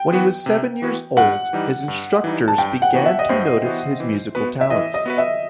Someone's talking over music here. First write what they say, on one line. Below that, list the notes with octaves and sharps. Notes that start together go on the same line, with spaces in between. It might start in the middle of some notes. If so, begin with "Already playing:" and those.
When he was seven years old, his instructors began to notice his musical talents.
Already playing: G5
E3 B3 F#4 B4
C3
E3 B3 F#4 B4
G2 F#5
E3 G3 D#4
G2
E3 G3 D#4
A5
G2 G5
F#5
E3 B3 F#4
E5
D#5
G2 C5
E3 B3 F#4
E3
B3 F#4 B4
E5
E3 D#5
D#5
B3 F#4 B4
E5